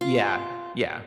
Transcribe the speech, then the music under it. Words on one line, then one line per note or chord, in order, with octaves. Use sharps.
Yeah, yeah.
F4